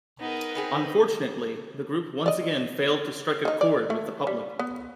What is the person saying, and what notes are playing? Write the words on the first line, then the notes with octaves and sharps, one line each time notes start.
Unfortunately, the group once again failed to strike a chord with the public.
B3 D#4 G#4 A#4
B3 C4 G#4 B4
D5 D#5
D#3 D#4
D5
A3
G3
B3